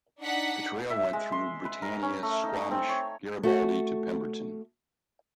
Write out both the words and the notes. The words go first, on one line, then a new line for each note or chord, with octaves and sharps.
The trail went through Britannia, Squamish, Garibaldi to Pemberton.
D4 D#4 F#5 B6
E5
G#3
C6
B4
A#4
C#4
A3
D#4
C4
C#5
A3 F#4